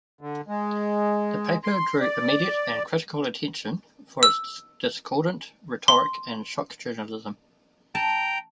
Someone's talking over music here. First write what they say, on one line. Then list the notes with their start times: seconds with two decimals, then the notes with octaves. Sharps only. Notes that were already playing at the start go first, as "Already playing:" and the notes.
The paper drew immediate and critical attention for its discordant rhetoric and shock journalism.
0.21 D3
0.48 G#3
1.64 C6
2.00 D5
4.23 E6
5.88 C6
7.95 G5 A5 A#5